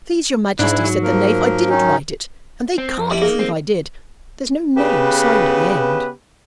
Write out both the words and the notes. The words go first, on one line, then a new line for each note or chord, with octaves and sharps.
'Please your Majesty,' said the Knave, 'I didn't write it, and they can't prove I did: there's no name signed at the end.'
G#2 D4 E4 G#4
F#3
F3 A#3 A#4
D#3 C#4 D#4
C4
F2
G3 E4
A#3 D#4 G#4
C4
C#3 B3 G4 B4